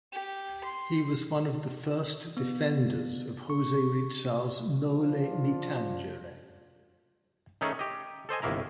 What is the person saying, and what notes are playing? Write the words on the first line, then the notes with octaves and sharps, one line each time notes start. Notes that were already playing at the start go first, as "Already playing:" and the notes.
He was one of the first defenders of Jose Rizal's "Noli Me Tangere".
G4
C6
B3
C#6
F3 D4 F4
D#3 A3 C#4 D#4 G#4 A4
G4 D#5
A4 C5 D#5 G#5
G1 C2 D#3 A#3 E4 A#5